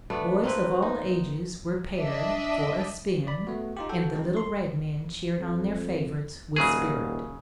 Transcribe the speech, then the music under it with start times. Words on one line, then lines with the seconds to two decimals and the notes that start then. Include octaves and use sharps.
Boys of all ages were paired for a "spin," and the little red men cheered on their favorites with spirit.
0.10 A3 B3 D4
0.44 A#3 C4 B4
0.82 D#4
1.97 D4 D#5 E5
3.27 D5 B5
3.47 A3 B3 F#4
3.77 D#4 F4 G4
3.89 F#4 A4 G5
4.15 E3 G#3 C#4 D#4
4.37 C6
5.39 F2
6.56 D#1 C#3 F#3 G#4